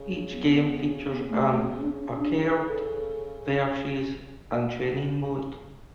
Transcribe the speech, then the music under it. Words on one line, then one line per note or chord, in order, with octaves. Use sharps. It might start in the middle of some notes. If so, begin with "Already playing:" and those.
Each game features an "Arcade", "Versus" and "Training" mode.
Already playing: C#3
B3
B3
A3
A3
C#4
B3
D4
C#3 C#4
D4
B4
A4